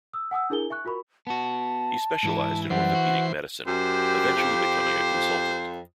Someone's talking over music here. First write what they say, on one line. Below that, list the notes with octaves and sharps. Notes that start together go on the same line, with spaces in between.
He specialised in orthopaedic medicine, eventually becoming a consultant.
D#6 E6
F#5 G#5 D#6 E6
D4 E4 G#4 A#4 G#5 G7
E5 G#5 C#6 F#6
F4 F#4 A#4 B5 C#6
B3 F#4 A5
G#2 E3 E4
F#2 E3 G3 C5 F#5
F#4
F#2 G4 C5
F2